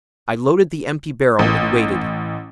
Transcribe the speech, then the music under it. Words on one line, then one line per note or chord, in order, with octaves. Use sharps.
I loaded the empty barrel and waited.
A1